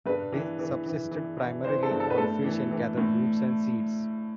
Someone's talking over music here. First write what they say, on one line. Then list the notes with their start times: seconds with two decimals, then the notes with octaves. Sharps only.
They subsisted primarily on fish and gathered roots and seeds.
0.06 G2 B4
0.32 E3
0.59 E3
0.86 E3
1.11 E3
1.38 E3
1.64 E3 C5
1.83 A4
1.91 G2
2.00 A4
2.10 B4
2.18 A2 A4
2.44 E3
2.71 E3
2.97 A2